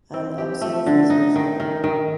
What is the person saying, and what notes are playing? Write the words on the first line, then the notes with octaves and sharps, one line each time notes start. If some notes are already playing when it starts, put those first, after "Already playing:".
And observe his wisdom.
C4
G4
A3
D3
D#4
D#3
D#3
D#3